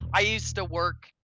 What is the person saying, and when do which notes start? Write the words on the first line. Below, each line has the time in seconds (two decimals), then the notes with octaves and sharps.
I used to work
0.01 D#1